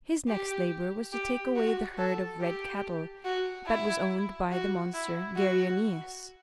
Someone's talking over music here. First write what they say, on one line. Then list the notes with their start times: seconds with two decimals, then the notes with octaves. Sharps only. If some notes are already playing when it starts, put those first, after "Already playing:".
His next labor was to take away the herd of red cattle that was owned by the monster Geryoneus.
0.28 G4
1.13 G4
1.56 F#4
1.98 A4
2.41 G4
3.25 F#4
3.67 E4
4.52 F#4
4.94 E4
5.36 F#4